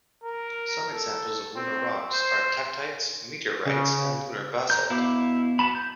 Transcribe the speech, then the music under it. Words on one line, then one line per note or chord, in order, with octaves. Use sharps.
Some examples of lunar rocks are tektites, meteorites and lunar basalt.
A#4
A4
C4
C5
C#3
A#5 G6
B2 E4 F5 D6
B3 A5 B5
G6